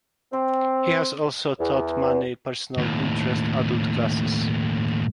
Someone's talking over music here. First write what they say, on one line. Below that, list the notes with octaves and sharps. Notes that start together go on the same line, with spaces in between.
He has also taught many personal interest adult classes.
C4
E2
D#2 A2